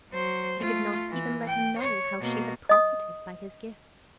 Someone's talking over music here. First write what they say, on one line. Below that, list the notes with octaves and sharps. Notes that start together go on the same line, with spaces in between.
She could not even let him know how she had profited by his gifts!
F#3 C5
A3 F4
E3
G5
C#5
B2 A#3
D#5 D#6